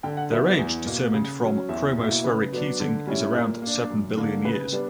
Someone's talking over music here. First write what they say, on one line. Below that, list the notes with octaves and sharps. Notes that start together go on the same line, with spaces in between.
Their age determined from chromospheric heating is around seven billion years.
D3 G5
F#5
F#3 B3 E4 E5
D5
E2
B2 A#3
C#3
F#3 C#4
E2 E5
B2 A#3 E4
C#3 B4
F#3 B3 D4
D3
G3 C#4 E4
A#2 A#4
A#3 D4
F#2
D3 A#3
C#3 B4
G3 B3 D4